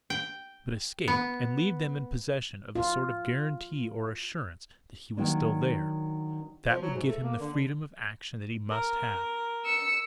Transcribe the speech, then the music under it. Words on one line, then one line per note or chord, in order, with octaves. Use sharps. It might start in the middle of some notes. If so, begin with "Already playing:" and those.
But escape--and leave them in possession of a sort of guarantee or assurance that he was still there! That would give him the freedom of action that he must have.
G5
B3
F4
D#3 F#3 A#3 D4
F3
F#3
G#2
A3
A#3
D3
A#4
E6 C#7